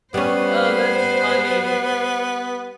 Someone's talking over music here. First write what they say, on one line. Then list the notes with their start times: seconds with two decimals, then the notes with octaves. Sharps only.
Oh, that's funny.
0.14 G3 B3 C#4 C5